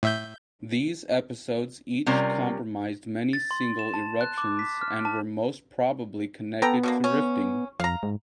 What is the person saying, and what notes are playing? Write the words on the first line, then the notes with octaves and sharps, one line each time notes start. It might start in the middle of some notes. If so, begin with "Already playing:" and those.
These episodes each comprised many single eruptions and were most probably connected to rifting.
A2 E5 G6
C3 G3 C#4 F4 A#4
A6
C6
E7
A5
F#6
D6
B6
F6
A5
B3 A4 G5 A#5
B2 D3 A#3
C#4
F2 F5 A#5
G#2